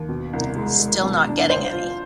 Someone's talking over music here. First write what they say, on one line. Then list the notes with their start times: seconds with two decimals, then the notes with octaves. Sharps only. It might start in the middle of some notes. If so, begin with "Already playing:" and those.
Still Not Getting Any...
Already playing: D#2
0.09 B2
0.33 C2
0.56 G#3
0.79 G#3
1.03 B2
1.26 D4
1.50 C5
1.73 F4